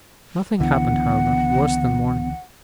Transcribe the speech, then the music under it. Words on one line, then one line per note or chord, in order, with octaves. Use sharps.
Nothing happened, however, worse than morning.
C#2 D3 E3 B3 F#5